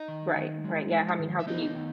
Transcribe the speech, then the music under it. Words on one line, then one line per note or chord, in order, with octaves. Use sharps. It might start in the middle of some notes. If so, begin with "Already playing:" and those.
Right, right, yeah, I mean, how can you
Already playing: D#4 D#5
D#3
D#3
G#3
G#3
D#3
E5
B3 D#4 D#5
D#3